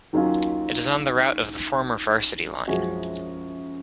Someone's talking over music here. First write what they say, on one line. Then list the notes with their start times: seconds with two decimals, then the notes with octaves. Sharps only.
It is on the route of the former Varsity Line.
0.13 D#2 D#3 F#3 C#4 F4
2.67 F#2 F3 G#3 C#4 F#4